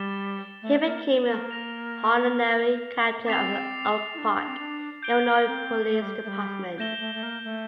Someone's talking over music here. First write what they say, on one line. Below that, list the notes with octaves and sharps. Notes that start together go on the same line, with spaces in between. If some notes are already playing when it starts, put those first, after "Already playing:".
He became an honorary captain of the Oak Park, Illinois police department.
Already playing: G3 A6 E7 G7
A3
A#3
A#3
F6 A#6 F7
C4 D6 A6 C7 F7
E4
D4
C4
D4
G6 D7 G7
C4
A3
G3
A3
G3
A3 G6 A#6 E7 G7
A3
A3
A#3
A3